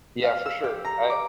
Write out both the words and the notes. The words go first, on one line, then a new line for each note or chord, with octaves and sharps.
Yeah, for sure. I
F5
E6
G4
A#5
D6